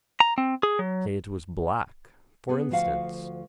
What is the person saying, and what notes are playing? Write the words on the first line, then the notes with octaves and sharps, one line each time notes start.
Say it was black, for instance.
A#5
C4
G#4
F#3
B3 G#4
D2 F3 F#4 F5 F#5